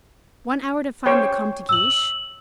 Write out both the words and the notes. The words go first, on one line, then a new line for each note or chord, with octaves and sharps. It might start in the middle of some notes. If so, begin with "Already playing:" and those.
"One hour to find the Comte de Guiche."
C5 C#5 G5
E6 F#7